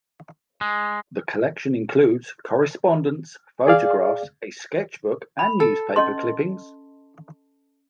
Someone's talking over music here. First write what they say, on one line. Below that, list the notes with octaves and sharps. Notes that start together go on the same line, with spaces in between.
The collection includes correspondence, photographs, a sketchbook, and newspaper clippings.
G#3
G#4 D5 F5
B5
A4
C#4 D#5 C6